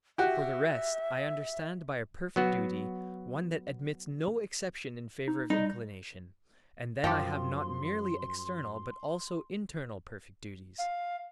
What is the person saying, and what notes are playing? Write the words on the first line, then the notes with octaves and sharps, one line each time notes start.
For the rest, I understand by a perfect duty one that admits no exception in favour of inclination and then I have not merely external but also internal perfect duties.
F#4 G4 E5
F#3 B3 F#4
D#4
G3 D#4
F#2 F3 G4 A4 G5 C6
F5